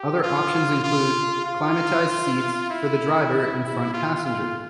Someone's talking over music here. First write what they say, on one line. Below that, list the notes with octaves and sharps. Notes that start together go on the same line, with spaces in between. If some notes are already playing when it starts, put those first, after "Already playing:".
Other options include climatised seats for the driver and front passenger.
Already playing: G4
F4
F4
F4
E4
F4
F4